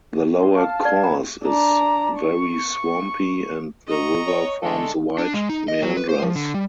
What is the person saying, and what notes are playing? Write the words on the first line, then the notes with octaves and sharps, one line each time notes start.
The lower course is very swampy and the river forms wide meanders.
D#4 E4 C6
F5 A5 F6
D5
A#5 B5
D4 A#5
C#6
D#5 A#5 C#6
C#5
D3 G#3 A3 A4
D4
G#3
D#4
D#5
F#3
B4
C5
F3
D3
G3